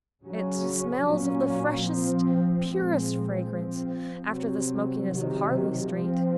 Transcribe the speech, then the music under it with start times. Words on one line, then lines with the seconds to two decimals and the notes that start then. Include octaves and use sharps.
It smells of the freshest, purest fragrance, after the smokiness of Harley Street.
0.22 C#3 F#3 C#4
1.04 A#2 F#3 A#3 C#4
1.84 F3 C4
2.65 A#2 F3 G#3 C4
3.47 F3 C4
4.27 C3 F#3 C4
5.08 C3 D#3 F#3
5.90 F3 C4